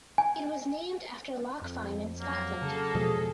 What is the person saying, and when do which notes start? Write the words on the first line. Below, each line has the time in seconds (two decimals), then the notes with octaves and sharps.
It was named after "Lock Fine" in Scotland.
0.18 G#5
1.62 F2
2.18 F#3 A#3
2.62 C#3 A4
2.95 E2 B2 F3 G#3 G#4 D#5